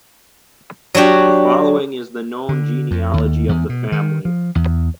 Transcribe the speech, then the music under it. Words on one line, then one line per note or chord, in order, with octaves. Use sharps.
The following is the known genealogy of the family.
F#3 D4 F#4 G4
D3
F2
D#2
E2
B2
D#3
F3
E2